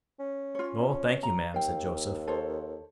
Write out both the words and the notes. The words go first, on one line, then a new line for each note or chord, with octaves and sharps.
"No, thank you, ma'am," said Joseph.
C#4
F4 C#5
A#5
D#2 F5 G5
A4 C5 C#5